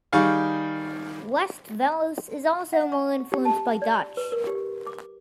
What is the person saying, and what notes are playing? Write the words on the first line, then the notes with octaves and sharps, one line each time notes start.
West-Veluws is also more influenced by Dutch.
D#3 G3 G#4 F5 C#6
F#5
C#6
G4
A5
D5
B4
A#4
G4
D6